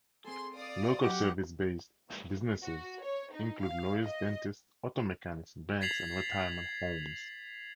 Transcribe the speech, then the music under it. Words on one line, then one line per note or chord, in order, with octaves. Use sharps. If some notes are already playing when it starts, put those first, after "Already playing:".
Local service-based businesses include lawyers, dentists, auto mechanics, banks, and retirement homes.
C4 G#4 A4 C6
D5 F5 D#6
F#3 F#4 G4 D#5 F#5
F#4
C#5
D#4
F5
D#5
G#6 A6 B6 C7 F7 F#7